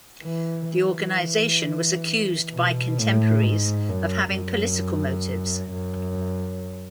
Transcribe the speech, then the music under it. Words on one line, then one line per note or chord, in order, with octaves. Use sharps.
The organization was accused by contemporaries of having political motives.
E3
E3
B2
A2
G#2
F#2
F#2
F#2